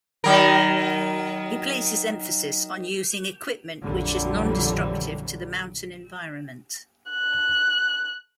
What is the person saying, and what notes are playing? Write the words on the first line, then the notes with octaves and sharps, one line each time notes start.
He places emphasis on using equipment which is non-destructive to the mountain environment.
D#3 F#3 A#4
A#1 F2 D3 E3 F#3 G3
F#6